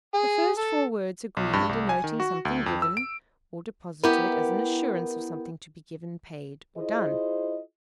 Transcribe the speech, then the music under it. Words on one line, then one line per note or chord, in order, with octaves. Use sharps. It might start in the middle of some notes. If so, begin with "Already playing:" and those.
The first four words agree in denoting something given or deposited as an assurance of something to be given, paid, or done.
G#4
A4
B1
G2
C2
G#5
D#3
F#4
D2
F2
E6
D7
B3 E4 G4 A#4
E4 F4 G#4 C5 D#5